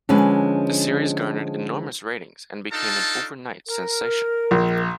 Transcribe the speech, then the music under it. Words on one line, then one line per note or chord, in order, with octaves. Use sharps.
The series garnered enormous ratings and became an overnight sensation.
D3 F3 G#3 C#4 B4
D4 D#4 F4 A4 A5
A#4
A#1